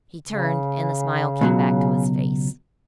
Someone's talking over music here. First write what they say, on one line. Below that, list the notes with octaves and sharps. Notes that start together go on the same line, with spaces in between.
He turned, and the smile came back to his face.
C#3
C#2 B2 F#3